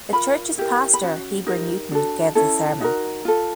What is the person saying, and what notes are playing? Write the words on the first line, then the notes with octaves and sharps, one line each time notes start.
The church's pastor, Heber Newton, gave the sermon.
C#4 F4 A#4 B5
E4 G4 A#4
B5
C#4 F#4
D#4 G4 A#4
D4 F#4 A4
C#4 E4 A4
D#4 F#4 A#4
F4 A4